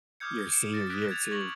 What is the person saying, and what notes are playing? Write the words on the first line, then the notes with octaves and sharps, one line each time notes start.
Your senior year too.
D6 D#6 F6 G6 G#6 C#7
C#7 D7 E7
A6 A#6
D#6 F#6 G#6 A#6 B6 D7
G#6 A6 F7
C#6 G#6 A#6 F#7